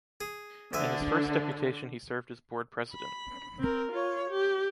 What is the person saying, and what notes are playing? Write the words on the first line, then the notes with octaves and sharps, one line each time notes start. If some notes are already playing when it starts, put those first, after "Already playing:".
In his first deputation he served as Board President.
G#4
D2 D3 E5 G#5
B5
C4 A#4
F4 C#5
G4